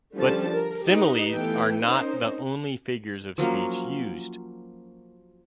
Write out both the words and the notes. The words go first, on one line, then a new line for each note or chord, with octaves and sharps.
But similes are not the only figures of speech used.
D3 F3 G3 C#4 A5
A#4
D#4 G4 B4
E3 A3 B3 A4 G5
C4 C#4 D#4 A#4 C5
F3 F#3 A#3 C#4